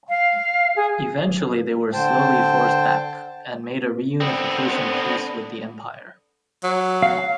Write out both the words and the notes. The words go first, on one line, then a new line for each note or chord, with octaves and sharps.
Eventually they were slowly forced back, and made a reunification peace with the Empire.
F5
G#4
D3 C5 G5 A5
D3 B3 C4
F#3
F5